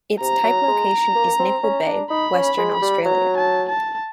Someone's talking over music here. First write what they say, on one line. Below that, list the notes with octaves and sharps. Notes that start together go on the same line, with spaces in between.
Its type location is Nicol Bay, Western Australia.
C3 A#5
F#3
G#3
A#3
C4
C#4
D4
D#4 B5
C#4
B5
G#3
B5
G3
F#3 A#5
A5
A5